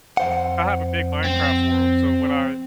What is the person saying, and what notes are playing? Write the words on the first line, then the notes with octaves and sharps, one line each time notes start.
I have a big Minecraft world, so when I
F2 C5 F#5
C4